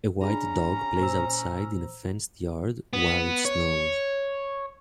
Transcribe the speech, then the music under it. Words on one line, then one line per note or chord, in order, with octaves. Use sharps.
A white dog plays outside in a fenced yard while it snows.
C#4 D4 G#4 A#5 B5
A#2 C5 E6
B3
C#5